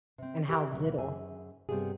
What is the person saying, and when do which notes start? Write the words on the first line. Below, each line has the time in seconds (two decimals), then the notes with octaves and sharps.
And how little.
0.18 C3 C4
0.49 G4 A#4 B4 D5 E5 G5
0.72 D2 B2 F#3 E5
0.98 F#2 G#4 E5 G#5
1.69 G2 C3 G3 A3 B3 G#4